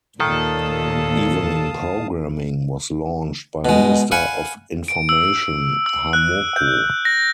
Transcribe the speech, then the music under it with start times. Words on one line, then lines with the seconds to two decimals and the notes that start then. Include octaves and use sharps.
Evening programming was launched by Minister of Information Harmoko.
0.20 D#2 A#2 D#3 A4 F5 A5 D#6
3.65 B2 G#3
4.11 F5 F#5 G#5 B5
4.88 D7
5.09 E6
5.86 E6
6.13 F#6
6.56 G6
7.05 A#6